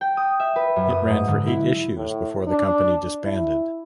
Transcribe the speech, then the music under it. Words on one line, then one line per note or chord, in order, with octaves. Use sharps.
It ran for eight issues before the company disbanded.
G5
D#6
E5
B4
F#2
D#6
G#2
D3
E4
A2
D4
E4